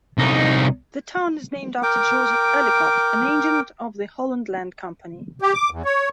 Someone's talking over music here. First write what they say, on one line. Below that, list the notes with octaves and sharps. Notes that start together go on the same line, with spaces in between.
The town is named after Joseph Ellicott, an agent of the Holland Land Company.
C2 D#4
A#4 G5 D6
G4
D6
E2
C#5